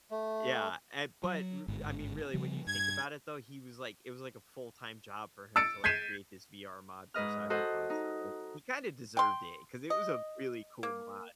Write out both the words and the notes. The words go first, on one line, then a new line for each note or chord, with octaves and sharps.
Yeah, and, but r I mean, really, when you think about it though, he was, like it was, like, a full-time job for him to, like, create this VR mod for Cyberpunk, so he kinda deserved it, 'cause it was a really cool mod.
A3
F#3
G1 G#2
C#3 F3 G3
G2 G#6
E6 A6 C#7 D7
G6 G#6 B6 C7 D#7 E7
G#2 B4 D#5 F6
F#4 A4 C5 D#5 F#5
D#4
G5 C6
D#5
A#3